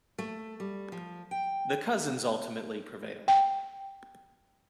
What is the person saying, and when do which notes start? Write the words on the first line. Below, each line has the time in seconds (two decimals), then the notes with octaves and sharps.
The cousins ultimately prevailed.
0.18 A3
0.60 G3
0.92 F3
1.31 G5
3.28 G5